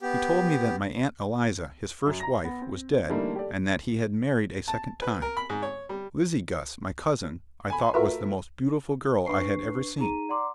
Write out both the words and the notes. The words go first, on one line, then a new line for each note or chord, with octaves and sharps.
He told me that my Aunt Eliza, his first wife, was dead, and that he had married a second time; Lizzie Guss, my cousin, I thought was the most beautiful girl I had ever seen.
B3 G4
F#2
A#5 A#6
B3
C4
D3 E3 G3 A3 A#3 D#4
G4 A4 D5
A5
B4
A#4
B5
G#2
C#5
G3
G#5 B5
A3 F4 F#4 A#4 B4 E5
D4 B4 C#6 C7
D#4 G#4 A#5 D#7
D5 F#5 A#5 C6 D6